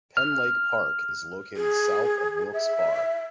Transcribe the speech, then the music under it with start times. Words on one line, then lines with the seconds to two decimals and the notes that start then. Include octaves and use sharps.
Penn Lake Park is located south of Wilkes-Barre.
0.17 F6
1.56 G#4
2.53 E5